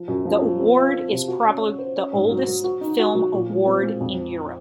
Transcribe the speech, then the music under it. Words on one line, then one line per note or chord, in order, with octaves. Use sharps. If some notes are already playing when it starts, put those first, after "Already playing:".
The award is probably the oldest film award in Europe.
Already playing: F3
F#2
F3
F3
C4
F4
C4
C3
F#4
C#4
C#4
C5
C#4
G#2
F#3
F#3
F#4
D#4
F#4
F#3
A#2
G#3
C4
G#3
F2